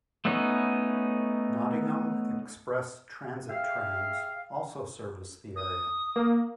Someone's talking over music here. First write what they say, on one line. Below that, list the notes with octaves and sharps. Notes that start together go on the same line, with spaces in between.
Nottingham Express Transit trams also service the area.
A3 B3 C#4 D#4
G4 G#4 E5 F5
D#6
A#3